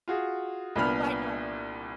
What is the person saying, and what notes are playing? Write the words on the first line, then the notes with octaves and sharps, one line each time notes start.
Quite normal.
F4 F#4 G#4
C2 A#2 B3 D4 B5 F6